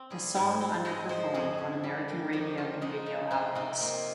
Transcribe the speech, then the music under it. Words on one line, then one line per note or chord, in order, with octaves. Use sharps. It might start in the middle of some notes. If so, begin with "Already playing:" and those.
The song underperformed on American radio and video outlets.
Already playing: C4
G3 G#4
G#2
C4
G#3 D#5
F3 C5
F2 G#4
C#4
G3
D#3
F2 G4
C#4 F4
G#3 D#4
C#3
C3 F4
C3 D#4
A#3 F4